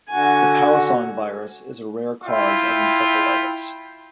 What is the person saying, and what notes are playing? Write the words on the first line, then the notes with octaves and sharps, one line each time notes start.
The Powassan virus is a rare cause of encephalitis.
D3 F#4 G#5
E4 F4 E5 G5